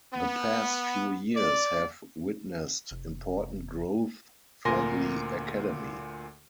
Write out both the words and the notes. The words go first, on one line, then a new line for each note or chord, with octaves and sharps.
The past few years have witnessed important growth for the Academy.
B3
D5
F1
D2 A#2 A#4 G#5 C6 A#6